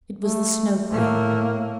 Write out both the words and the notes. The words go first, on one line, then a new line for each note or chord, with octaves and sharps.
It was the Snow Queen.
A3
A2 A3 A#3